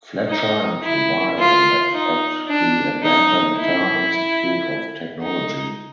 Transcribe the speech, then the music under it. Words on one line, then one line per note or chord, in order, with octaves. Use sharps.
Fletcher and Weil met at the Atlanta Guitar Institute of Technology.
D#4
E4
F4
D#4
D4
D#4
E4
D#4